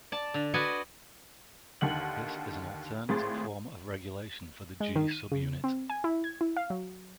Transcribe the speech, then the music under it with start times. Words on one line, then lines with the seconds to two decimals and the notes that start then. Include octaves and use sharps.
This is an alternate form of regulation for the G subunit.
0.12 D5 A5
0.34 D3
0.54 F#4 B4 D5 D#5 F#5 G#5
1.81 D#2 D3 D#3 F#5 F#7
3.09 G#1 A2 G#4 C6 A6
4.80 G#3
4.96 D#3
5.11 D#7
5.32 C#3
5.64 C4
5.90 G#5
6.04 E4
6.24 G#6
6.41 E4
6.57 F5
6.70 F#3